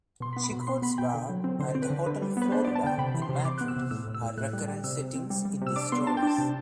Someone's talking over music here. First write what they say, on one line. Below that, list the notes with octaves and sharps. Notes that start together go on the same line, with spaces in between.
Chicote's bar and the Hotel Florida in Madrid are recurrent settings in these stories.
B2 C6
B5
B3
B5
B2
B3 C6
B3 B5
B2 G5
D3
F#3
C4
D3 C5
C4
B4
D3
D3 B4
G3
B3 B4
D4 C5
B3 D5
A5
D3 G5
C3 B5
E3
C6
C3
C6
C3 D6
B3 F#6
E6
C3
A2 E6
A2
E6
A2
A2 F#6
G3
G3
C3 E6
C3
C4
G3
G3
C3 E6
D4 D6
B3 C6
D4 A5
G5
D4 A5
C3